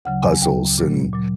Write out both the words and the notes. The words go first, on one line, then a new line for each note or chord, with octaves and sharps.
puzzles and
D2 C#3 F#3 F#5
G#5
D2 C#3 F#3 G5
A#2 F#3
A#2 F#3